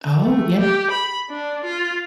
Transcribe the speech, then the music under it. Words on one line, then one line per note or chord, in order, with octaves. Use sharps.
Oh, yeah.
A3
G4
B5
D4
F4